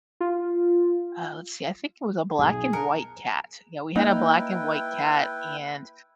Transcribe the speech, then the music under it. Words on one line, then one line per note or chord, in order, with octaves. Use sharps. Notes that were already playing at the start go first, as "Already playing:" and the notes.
uh, let's see, I think it was a black and white cat. Yeah, we had a black and white cat and
F4
B1 G#4
A#4 F#6 C#7
A#3 D#4 E4 B4 G5